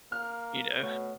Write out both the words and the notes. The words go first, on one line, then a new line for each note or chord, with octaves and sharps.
you know?
A#3 F6
B2 A3 C#5 F#5